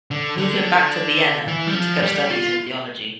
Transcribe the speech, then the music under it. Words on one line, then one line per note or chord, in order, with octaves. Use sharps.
Moving back to Vienna, he took up studies in theology.
D3
D3
E3
G3
F3
G3
F4